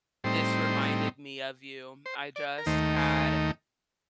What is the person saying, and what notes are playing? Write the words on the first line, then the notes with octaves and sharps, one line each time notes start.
this reminded me of you." I just had
A2 G3 C4 D#4 C5
C5
D5
A#4
D#2 D#3 A3 D#4 C5
C5